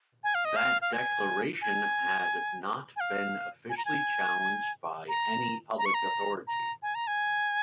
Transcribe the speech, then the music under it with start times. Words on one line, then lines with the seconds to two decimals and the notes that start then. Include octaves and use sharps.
That declaration had not been officially challenged by any public authority.
0.24 G#5
0.35 F5
0.45 D#5
0.56 F5
0.82 F5
0.93 G#5
1.62 G#5
2.96 G#5
3.00 F5
3.69 G#5
3.77 A#5
3.85 G#5
5.09 A#5
5.79 A#5
5.86 C#6
5.94 A#5
6.47 A#5
6.83 G#5
6.95 A#5
7.07 G#5